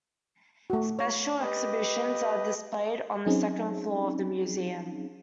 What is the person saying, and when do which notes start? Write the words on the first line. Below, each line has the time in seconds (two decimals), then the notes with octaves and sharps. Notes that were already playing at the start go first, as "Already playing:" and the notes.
Special exhibitions are displayed on the second floor of the museum.
0.70 A3 F#4
0.99 C#5
1.40 G4 B4 D#5
3.26 F#3 C4 C#4 D#4 G#4